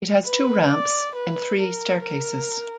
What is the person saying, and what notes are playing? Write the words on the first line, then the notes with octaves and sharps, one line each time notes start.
It has two ramps and three staircases.
B4
D5
B4
A#4
A#4